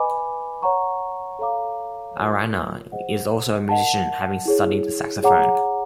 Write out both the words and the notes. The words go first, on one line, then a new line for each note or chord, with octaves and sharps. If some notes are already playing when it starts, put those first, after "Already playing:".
Arana is also a musician, having studied the saxophone.
Already playing: B4 D#5 G#5 B5 D6
C#5 F#5 A#5 C#6
A4 C#5 F5 A#5 D6
F4 A#4 C#5
G#4 C5 D#5 F#5
A#4 D#5 F#5 A5
E4 G#4 C#5
G#4 C#5 F#5 A#5 D6